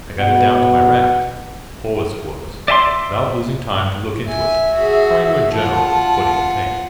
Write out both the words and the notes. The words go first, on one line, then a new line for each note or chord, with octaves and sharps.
I got it down to my raft, whole as it was, without losing time to look into it, for I knew in general what it contained.
B2 F#5
D5 E5 G#5 C6
E5 G#5
F#4 G#4
F4 F#5 A5